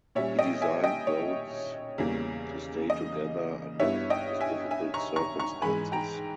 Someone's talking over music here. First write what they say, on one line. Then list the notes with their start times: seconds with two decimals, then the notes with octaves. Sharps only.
He designed boats to stay together under the most difficult circumstances.
0.15 A#2 G3 C#4 C#5 E5
0.39 D#5 G5
0.62 E5 G#5
0.84 D#5 G5
1.07 C#5
1.98 E2 C#3 E3 G3 A#3
2.90 D#5
3.80 G2 G3 B3 E4 C#5 E5
4.10 D#5 G5
4.41 E5 G#5
4.71 E5 G#5
4.94 A#5 C#6
5.16 A#5 C#6
5.40 A#5 C#6
5.62 G#2 E3 G#3 G#5 B5
5.92 G5 A#5